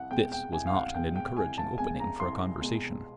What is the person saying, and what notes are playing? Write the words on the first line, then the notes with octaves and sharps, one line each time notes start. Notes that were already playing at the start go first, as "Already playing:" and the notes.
This was not an encouraging opening for a conversation.
Already playing: C2 F#5
B2 G#3 G5
G5
C2 G#5
F5
F#5
B2 G#3 G5
G5
C2 G#5
A5
B2 G#3 G#5
A#5
C2 C6
B2 G#3